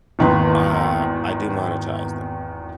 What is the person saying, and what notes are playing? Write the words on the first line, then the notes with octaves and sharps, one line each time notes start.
uh, I do monetize them.
G#1 E2 D#3 A#3 B4 C6